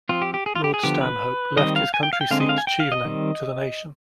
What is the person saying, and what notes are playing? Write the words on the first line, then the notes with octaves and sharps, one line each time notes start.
Lord Stanhope left his country seat Chevening to the nation.
F3 C4 F4
G4
G4
G#4
F4
G4
G#4
D3 F3 B3 G4
B4
D#3 G3 C4 D#5
F5
G#5
G5
F5
G5
D3 G#3 C4 F5
D#5
F5
G#5
G5
F5
D#5
D#3 G3 C4